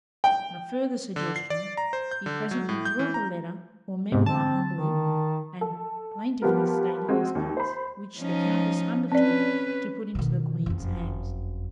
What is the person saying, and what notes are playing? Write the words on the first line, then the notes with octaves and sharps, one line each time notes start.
On a further suggestion, he presently drew up a letter or memoir humbly and plaintively stating his case, which the countess undertook to put into the Queen's hands.
G5
D3
C7
D5
A#5
C5
G6
D3
F#3
A2
G6
E3
A#5
G#2 C3
D3 C4 A5
D#3
A4
F3 G3 B3 A#4
G#3 C4 F#4
D#2
C5 B5
F3 C#4 D#4
C4 C#4 B4 D5
B2 D#3
F#1 F2